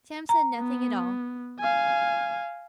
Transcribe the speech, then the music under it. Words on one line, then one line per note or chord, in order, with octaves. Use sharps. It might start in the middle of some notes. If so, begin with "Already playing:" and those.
Sam said nothing at all.
A#5
B3
F5 G#5